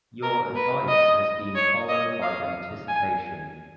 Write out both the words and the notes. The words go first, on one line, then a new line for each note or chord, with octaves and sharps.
Your advice has been followed by anticipation.
A#4
B4
D#5
C#5
D#5
F5
G#5